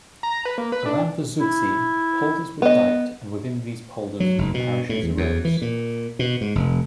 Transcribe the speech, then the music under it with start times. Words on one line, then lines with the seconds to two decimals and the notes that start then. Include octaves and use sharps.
Around the Zuudzee, polders were diked, and within these polders, new parishes arose.
0.23 A#5
0.45 B4
0.58 A#3
0.72 B4
0.86 D4
1.40 E4
2.62 B3 D#5
4.20 F#3
4.38 F#1
4.54 B2
4.89 A2
5.03 E2
5.17 E2
5.45 E3
5.62 A#2
6.19 B2
6.41 G#2
6.55 F1